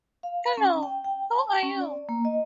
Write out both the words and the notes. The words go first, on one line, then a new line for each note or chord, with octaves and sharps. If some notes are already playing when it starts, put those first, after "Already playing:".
Hello, how are you?
F5
C#4
G5
G5
A5
C#4
D5
A#3
D#5